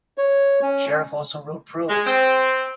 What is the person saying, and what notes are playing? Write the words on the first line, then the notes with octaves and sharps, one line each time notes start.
Sherriff also wrote prose.
C#5
C#4
G#3
C4